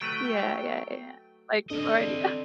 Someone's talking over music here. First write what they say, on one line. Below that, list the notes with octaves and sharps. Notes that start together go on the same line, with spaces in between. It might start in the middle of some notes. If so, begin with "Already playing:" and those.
Yeah, yeah, yeah, yeah, like, already up.
F#3 A3 B4 G5
C4 D4 A4 D#5